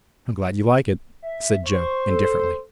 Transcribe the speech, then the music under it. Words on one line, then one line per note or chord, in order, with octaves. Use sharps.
"I am glad you like it," said Joe, indifferently.
E5
C5 C#6
A4